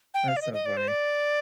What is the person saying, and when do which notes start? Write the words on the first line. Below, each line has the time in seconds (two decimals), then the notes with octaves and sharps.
that's so funny.
0.14 G5
0.28 F5
0.37 D5
0.42 D#5
0.53 D#5
0.66 D5
0.77 C5
0.88 D5